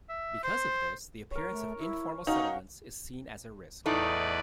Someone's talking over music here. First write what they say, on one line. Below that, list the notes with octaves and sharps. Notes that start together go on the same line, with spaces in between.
Because of this, the appearance of informal settlements is seen as a risk.
E5
C5
A#4 C#5
A3
E4
C#4 D#4 F#4 C#5 F5
E2 A2 A3 D#4 B4 D5